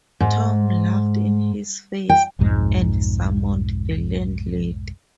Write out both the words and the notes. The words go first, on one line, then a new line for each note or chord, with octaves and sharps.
Tom laughed in his face; and summoned the landlady.
G#2
G5
B1 F2 G#2 G#3